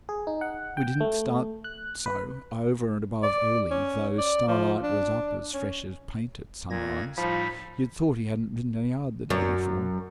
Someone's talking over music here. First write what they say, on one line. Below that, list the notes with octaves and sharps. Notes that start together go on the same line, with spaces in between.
We didn't start so over and above early, though Starlight was up as fresh as paint at sunrise, you'd thought he hadn't ridden a yard the day before.
G#4
D#4
F#5
G5
A3
F#6
B4
D5
C#4
D5
F3
D4
C#4
F2 A#2 G#6 A#6
A2 F3 G3 D#4 B5
F#2